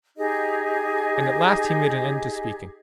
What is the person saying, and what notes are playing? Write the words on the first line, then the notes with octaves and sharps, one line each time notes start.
And at last he made an end to speaking.
D#4 G4 G#4 D#5